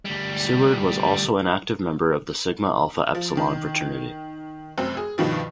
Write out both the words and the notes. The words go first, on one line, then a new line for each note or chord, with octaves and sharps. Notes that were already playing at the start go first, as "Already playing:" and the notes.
Seward was also an active member of the Sigma Alpha Epsilon fraternity.
D2 G3
F3
D#3
F1 F#2 C4
G#4
G2 B2 D#3 F3